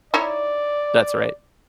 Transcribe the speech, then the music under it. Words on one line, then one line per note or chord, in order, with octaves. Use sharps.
That's right.
D#4 E4 C#5 D5